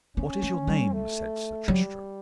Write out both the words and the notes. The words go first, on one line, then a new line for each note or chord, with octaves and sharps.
What is your name? said Sir Tristram.
B3 C#4
A3
G3
A3
F#3 G3